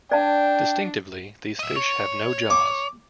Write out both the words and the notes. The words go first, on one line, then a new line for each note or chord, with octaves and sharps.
Distinctively, these fish have no jaws.
D4 D5 F5 G5 A5
D#5 E5
C#5
D6